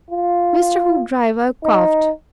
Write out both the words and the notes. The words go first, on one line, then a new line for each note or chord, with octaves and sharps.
Mr. Hoopdriver coughed.
F4
D#4